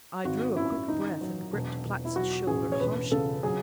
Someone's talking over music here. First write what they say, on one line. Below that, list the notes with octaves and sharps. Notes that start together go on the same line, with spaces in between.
I drew a quick breath and gripped Platts' shoulder harshly.
G#1 F#4
F#2 E4
D#3 D#4
F#3
E1
E1
E4
F#3 F#4
A1 G#4
C#5
E1 B4
C#3 A4
F#3 G#4